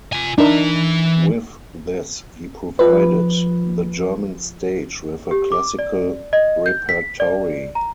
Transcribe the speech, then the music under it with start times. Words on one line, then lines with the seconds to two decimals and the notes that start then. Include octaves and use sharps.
With this, he provided the German stage with a classical repertory.
0.13 F4 G#5
0.38 E3 D4 D#4 A#4 E5
2.79 F3 B4
5.31 G4
5.52 D6
5.79 D5
6.33 D#5
6.66 G6
6.89 B6
7.20 D5
7.75 A#5